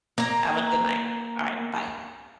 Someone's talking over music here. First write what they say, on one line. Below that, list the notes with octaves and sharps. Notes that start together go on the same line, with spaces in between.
Have a good night. Alright, bye.
A#3 A#5